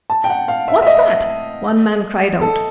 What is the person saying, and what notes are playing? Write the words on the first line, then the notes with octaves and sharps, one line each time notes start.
"What's that?" one man cried out.
A5
G5
F#5
F5
E5
E5
D#5
A4